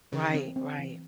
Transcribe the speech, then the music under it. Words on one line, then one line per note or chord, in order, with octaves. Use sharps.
Right, right.
C#3 E3
C4
C4
E3